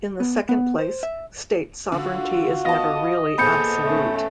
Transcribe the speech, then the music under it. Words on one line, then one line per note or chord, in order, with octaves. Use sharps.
In the second place, state sovereignty is never really absolute.
B3
B3
C5
E5
D3 F4 F#4
B3 D#5 F5 A5
E2 A#2 G#4 A4 C5 B5 G6 C#7
A3 C#4